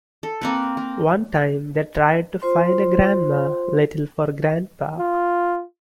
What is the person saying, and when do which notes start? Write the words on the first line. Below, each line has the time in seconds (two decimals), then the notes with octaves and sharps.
One time they tried to find a Grandma Little for Grandpa.
0.23 A4
0.41 A#3 C4 B4
0.77 A#3
2.42 F4 C5 C6
4.99 F4